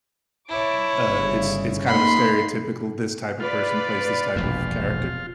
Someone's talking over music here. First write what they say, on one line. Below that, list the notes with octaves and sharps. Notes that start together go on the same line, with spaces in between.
uh, it's it's kind of a stereotypical this type of person plays this type of character?
E4 C#5 A5 D6
G1 C#3
A#3 D#4 F4 B5 C6
F4 B4 D5 B5
E1 A#1 F#2